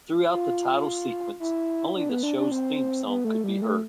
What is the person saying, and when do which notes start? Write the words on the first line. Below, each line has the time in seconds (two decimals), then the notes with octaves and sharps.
Throughout the title sequence, only the show's theme song could be heard.
0.29 F4
1.40 E4
1.96 D4
2.09 B3
2.23 D4
2.37 D4
2.51 C4
3.07 B3
3.25 A3
3.44 G3
3.62 A3